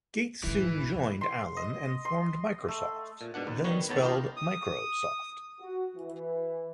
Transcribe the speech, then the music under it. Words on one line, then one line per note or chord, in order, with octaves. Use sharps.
Gates soon joined Allen and formed Microsoft, then spelled "Micro-Soft".
G#2 C#3 E3
C6
D#5
C6
A3
A#2
G#2 B2 D4 F#5
D#2
D#3 G3 B3 F#4 C#5
E2 A2 D#3 B3 C#5 A5
D#4 F4 G4 D#5 F5
D#6
F#4
E3